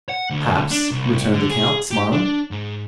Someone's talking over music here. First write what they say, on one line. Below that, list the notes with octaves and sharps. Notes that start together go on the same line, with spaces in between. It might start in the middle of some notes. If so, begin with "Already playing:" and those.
"Perhaps," returned the count, smiling.
F#5
D2
D4
C2
D3
G#4
G4
D4
G#2